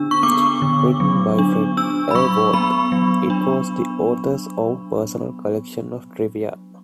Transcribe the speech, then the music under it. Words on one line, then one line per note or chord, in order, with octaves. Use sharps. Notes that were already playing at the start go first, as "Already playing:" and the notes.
Written by Fred L. Worth, it was the author's own personal collection of trivia.
Already playing: D3 B3 D4 E6
C#6
B3 D6
D3
F#3
D4
D4 E6
B5
F#3 C#6
B3 B5
F#3
D4